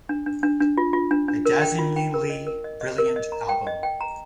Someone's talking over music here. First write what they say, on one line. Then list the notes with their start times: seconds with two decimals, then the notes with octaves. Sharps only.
A dazzlingly brilliant album.
0.09 D4
0.26 D4
0.43 D4
0.60 D4
0.78 F4
0.93 F4
1.11 D4
1.28 D4
1.46 A#4
1.62 G5
1.79 F4
1.96 G5
2.14 A#4
2.30 D#5
2.47 A#4
2.64 D#5
2.81 D#5
2.98 A#4
3.16 D#5
3.32 A#5
3.49 G5
3.67 D#5
3.83 G5
4.01 A#5